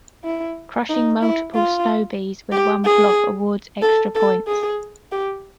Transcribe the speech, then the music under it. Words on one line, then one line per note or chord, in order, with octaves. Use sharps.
Crushing multiple Sno-Bees with one block awards extra points.
E4
D#4
E4
F4
G4
G#4
A4
A4
G#4
G4